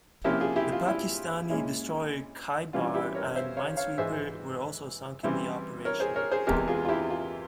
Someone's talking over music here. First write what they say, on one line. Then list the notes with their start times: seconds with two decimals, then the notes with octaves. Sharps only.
The Pakistani destroyer "Khaibar" and minesweeper were also sunk in the operation.
0.24 C3 F3 A#3 C#4 E4 G4
0.40 F4 G#4
0.56 E4 G4
0.72 F4
0.88 E4
1.50 A#2 G#3 C#4 E4
2.73 C3 E3 G3 C#4 E4 F4
2.94 E4 G4
3.15 A#4 C#5
3.36 C5 E5
3.57 C#5 F5
3.77 C#5 F5
3.98 G#2 E3 G#3 C5 E5
5.23 C#3 E3 G3 C4 E4
5.85 A#4 C#5
6.00 G#4 C5
6.16 A#4 C#5
6.31 G#4 C5
6.47 E2 C3 E3 G#3 G4 A#4
6.68 F4 G#4
6.85 F4
6.88 E4 G4
7.10 F4